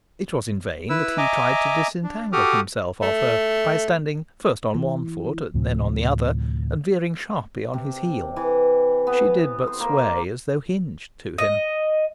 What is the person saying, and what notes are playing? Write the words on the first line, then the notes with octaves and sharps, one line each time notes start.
It was in vain that he tried to disentangle himself of her by standing first on one foot, then on the other, and veering sharply on his heel: she did but sway as though hinged to him.
E4 B4 E6
D#5 E5 G#5 A#5 D6
D4
F#4 G4 A4 D6 D#6 F6
A3
E3
D2 A2 C3 F3
C3
E3
B3
C5
A#3
D#5